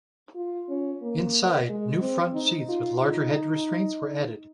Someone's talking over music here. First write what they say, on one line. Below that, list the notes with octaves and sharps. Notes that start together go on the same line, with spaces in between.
Inside, new front seats with larger head restraints were added.
F4
C#4
A#3
G#3
C4
D#4
F4
D#4